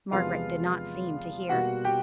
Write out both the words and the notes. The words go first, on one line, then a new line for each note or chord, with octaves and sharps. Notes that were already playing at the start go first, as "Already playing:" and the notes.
Margaret did not seem to hear.
E2 C3 F3 G#3 B3 F4 F5
B2 G3 A#3 F#4 F#5
G4 G5